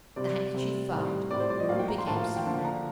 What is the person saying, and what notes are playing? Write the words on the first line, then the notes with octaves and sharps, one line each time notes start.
The handkerchief found, all became serene.
C3 G3 C4 D5
C3 G3 C4
A2 G3 C4
A2 G3 C4 D5
C5
D5
D#5
A2 F3 A#3 F5
G5
A#5
C6
A2 F3 A#3 A5
F5
F5
G5
D3 F3 A#3 A5
A#5